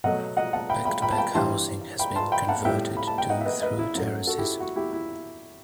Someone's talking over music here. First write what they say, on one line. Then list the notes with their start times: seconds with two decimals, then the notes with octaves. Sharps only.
Back-to-back housing has been converted to through terraces.
0.04 B2 F#3 A3 D#5 F#5
0.37 D#5 F#5
0.53 F#5 A5
0.70 G5 B5
0.85 G5 B5
1.02 G5 B5
1.12 A5
1.18 G5 B5
1.35 G2 E3 G3 A5 C6
1.99 G5 B5
2.16 A5 C6
2.32 G5 B5
2.48 F#5 A5
2.65 A2 G3 E5 G5
2.97 B5
3.07 A5
3.18 G5
3.30 D#5 F#5
3.41 E5
3.46 B4 D#5
3.62 B4 D#5
3.79 E4
3.95 F#2 F#3 A3
4.27 F#4 A4
4.38 E4 G4
4.60 F#4
4.76 E4 G4
4.93 E4